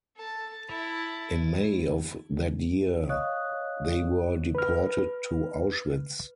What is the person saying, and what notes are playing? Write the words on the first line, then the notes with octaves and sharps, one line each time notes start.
In May of that year they were deported to Auschwitz.
A4 A5
E4 A5
C#5 D#5 F5 C#6 D#6 F#6
B4 F6